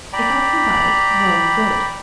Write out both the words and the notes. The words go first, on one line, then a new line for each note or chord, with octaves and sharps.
If I can buy it, well and good.
D5 G5 A#5 B5